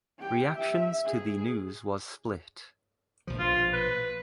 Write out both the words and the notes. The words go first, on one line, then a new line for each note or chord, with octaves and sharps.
Reactions to the news was split.
G4 G5
E5
G#4
A#1 B2 F3
F4
B4